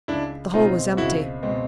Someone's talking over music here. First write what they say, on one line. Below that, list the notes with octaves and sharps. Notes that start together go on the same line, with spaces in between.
The hole was empty.
C#2 D4 E4
B2 G#3 C4 D#4 F4
C#2 E4 F#4
B2 G#3 C4